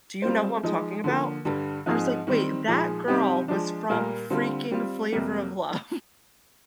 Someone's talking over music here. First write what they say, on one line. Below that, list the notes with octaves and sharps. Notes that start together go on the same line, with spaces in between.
Do you know who I'm talking about? I was like, "Wait, that girl was from freaking Flavor of Love.“
G3 C4 F4 C5
F3 G#3 D#4
D3 F3 A#3
G2 D3 G3
G#2 F3 C4 D#4 G#4
D#3 G3 C4
A#2 F3 G#3 D#4 G#4
C3 G3 C4 D#4 G4
F3 G#3 D4
A#2 G3 A#3 F4 A#4
D3 G3 C4 F4
G3 C4 F4
F2 C3 G3 A#3